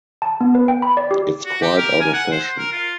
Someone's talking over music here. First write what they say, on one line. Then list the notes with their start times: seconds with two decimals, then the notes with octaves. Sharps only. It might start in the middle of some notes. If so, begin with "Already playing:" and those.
It's quite out of fashion.
0.22 A5
0.41 B3
0.55 B4
0.68 G5
0.82 B5
0.97 D5
1.11 G4
1.45 F#4
1.62 G4
1.78 A#4
2.00 G#5
2.13 F#5
2.32 C5
2.58 A#4
2.73 F4